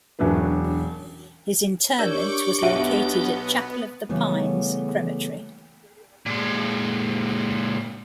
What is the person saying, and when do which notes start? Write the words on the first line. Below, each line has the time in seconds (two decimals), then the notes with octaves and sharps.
His interment was located at Chapel of the Pines Crematory.
0.19 E1 F#3 C#4 D4 B4
1.99 D4 G4 A#4 C#5 D5 C#6 D6
2.62 B1 B3 F#4 E5 F#5 A5 D7
4.09 C#3 E3 G3 A3 B3
6.26 A#2 G#3